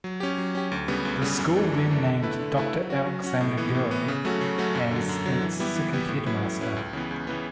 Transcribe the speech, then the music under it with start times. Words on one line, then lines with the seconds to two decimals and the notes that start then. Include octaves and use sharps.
The school then named Doctor Alexander Guerry as its second headmaster.
0.04 F#3
0.20 C#4 G4
0.38 F#3
0.55 C#4 G4
0.72 D2
0.88 C#3 G3 B3
1.05 D2
1.22 C#3 G3 B3
1.39 F#2
1.55 E3 A3 D4
1.72 F#2
1.89 E3 A3 D4
2.06 D3
2.22 A3 E4 B4
2.39 D3
2.57 A3 E4 B4
2.73 F#3
2.90 C#4 F#4
3.06 F#3
3.24 C#4 F#4
3.41 A2
3.57 E3 B3
3.75 A2
3.91 E3 B3
4.08 C#3
4.25 F#3 A3 C#4 F#4
4.41 C#3
4.58 F#3 A3 C#4 F#4
4.75 F#2
4.91 D3 F#3
5.09 F#2
5.26 D3 F#3
5.42 E3
5.59 G3 B3 E4 G4
5.76 E3
5.93 G3 B3 E4 G4
6.09 A2
6.26 F#3 C#4 E4 B4
6.43 A2
6.60 F#3 C#4 E4 B4
6.76 C#2
6.93 C#3 E3 B3
7.11 C#2
7.27 C#3 E3 B3